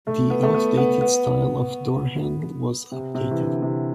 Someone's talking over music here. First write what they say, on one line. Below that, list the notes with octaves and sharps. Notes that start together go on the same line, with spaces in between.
The outdated style of door handle was updated.
A3
B3
A3
B3
B3
B3
C3
C3
E3
D3
C3